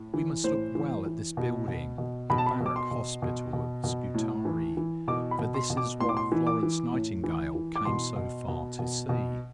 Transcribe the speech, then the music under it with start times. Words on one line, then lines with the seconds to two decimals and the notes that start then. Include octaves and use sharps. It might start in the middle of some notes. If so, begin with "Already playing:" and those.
We must look well at this building, the Barrack Hospital of Scutari, for this is what Florence Nightingale came so far to see.
Already playing: A2
0.14 E3
0.44 A2 C5
0.75 E3
1.06 E3
1.37 B2
1.68 B2
1.98 B2
2.30 B2 B5
2.38 A5
2.46 B5
2.60 B2
2.66 D6
2.76 C6
2.91 B2
3.22 B2
3.53 B2
3.84 B2
4.14 A2
4.45 E3
4.77 E3
5.08 B2 D6
5.31 B5
5.39 B2
5.54 C6
5.70 B2
5.77 D6
6.00 A2 C6
6.09 D6
6.17 C6
6.32 E3
6.47 D6
6.63 E3
6.93 A2
7.24 E3
7.55 E3
7.76 D6
7.85 B2 C6
8.16 B2
8.48 B2
8.79 B2
9.09 B2